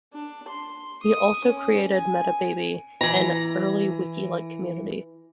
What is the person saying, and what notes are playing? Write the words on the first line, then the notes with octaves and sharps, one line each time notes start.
He also created Metababy, an early wiki-like community.
D4
C6
D#6
C#4
G#5
E3 A#5